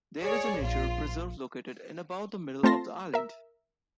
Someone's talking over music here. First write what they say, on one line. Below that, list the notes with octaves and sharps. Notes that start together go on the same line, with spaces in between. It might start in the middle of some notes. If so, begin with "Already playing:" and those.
There is a nature preserve located in about the middle of the island.
G#4 C#5 D5
A#1 F4
A3 C4 F4 A5 C6 A#6
A#4 E5